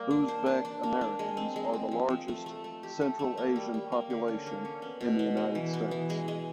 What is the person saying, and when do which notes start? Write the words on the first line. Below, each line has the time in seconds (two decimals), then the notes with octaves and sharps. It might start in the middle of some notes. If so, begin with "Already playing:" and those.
Uzbek Americans are the largest Central Asian population in the United States.
Already playing: G3 A#3
0.11 D4
0.28 C5
0.46 D4
0.65 D4
0.83 A#3
1.01 D4
1.19 G#3
1.37 C4
1.56 G#3
1.73 C4
1.91 F3
2.10 F3
2.28 A3
2.46 A3
2.64 A3
2.83 G4
3.01 A3
3.19 A3
3.38 A#3
3.56 G3
3.74 G3
3.92 A#3
4.10 D3
4.28 C#4
4.46 A#3
4.65 C#4
4.82 B3
5.01 B2
5.19 B3
5.37 G#3
5.55 E3
5.73 B3
5.91 E3
6.10 G#3
6.28 G#3